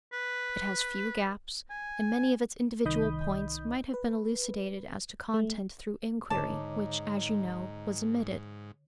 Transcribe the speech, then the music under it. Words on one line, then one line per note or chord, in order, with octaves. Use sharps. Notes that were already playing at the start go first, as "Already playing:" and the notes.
It has few gaps, and many of its individual points might have been elucidated as to content through inquiry, which, as you know, was omitted.
B4
G#5
C2 D#3 D#5 B5 D#6 G6
B4
A3
G#2 D3 D#4 C#5 A5 D6